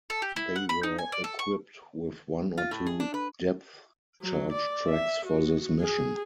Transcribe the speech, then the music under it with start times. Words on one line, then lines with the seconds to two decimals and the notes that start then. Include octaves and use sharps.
They were equipped with one or two depth charge tracks for this mission.
0.10 A4
0.22 G4
0.36 E4
0.56 F#5
0.69 B5
0.83 D#4
0.99 G#5
1.12 D5
1.24 A4
1.39 C#6
2.58 F4
2.71 A2
2.86 G#4
3.00 D4
3.14 B4
4.22 F#3
4.52 D5
4.89 E5
5.26 F#4
5.81 G#4